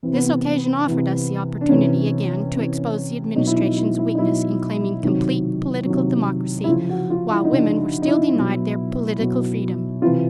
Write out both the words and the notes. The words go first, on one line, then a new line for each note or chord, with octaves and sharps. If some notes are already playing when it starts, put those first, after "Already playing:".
This occasion offered us the opportunity again to expose the Administration's weakness in claiming complete political democracy while women were still denied their political freedom.
C3 E3 C4
B3
C4
C3 E3
D4
C3 E3 C#4
C3
E3
B2 F#3 D#4
E4
D#4
E4
E4
D#4
B2 F#3 E4
C3 D#3 F#3
C3 D#3 F#3
E4
C#3 F3 F4
F#4
F4
E4
D#4
C#3 F3 D4
D#4
E4
B2 F#3
B2 F#3
C3 E3 F4